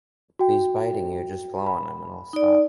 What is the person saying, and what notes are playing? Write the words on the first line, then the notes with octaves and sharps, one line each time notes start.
If he's biting you, just blow on him and he'll stop.
F#4 G5
B5
D#4 D5